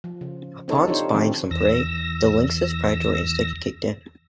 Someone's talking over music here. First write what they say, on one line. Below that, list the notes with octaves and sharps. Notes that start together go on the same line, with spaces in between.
Upon spying some prey, the lynx's predatory instinct kicked in.
F3
C#3
C4 D#4 A4 C#5
D4 D#4 F4 G4 C5 C#5
D3 D#3 F3 C4 C#4
E2 E6 A#6